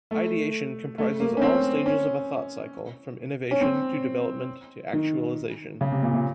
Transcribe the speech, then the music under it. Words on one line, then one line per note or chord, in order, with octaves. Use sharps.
Ideation comprises all stages of a thought cycle, from innovation, to development, to actualization.
A3
A3
A#3
C#4
C4
C#4
C#4
C4
D#3
C#3
C3
A#2
A#2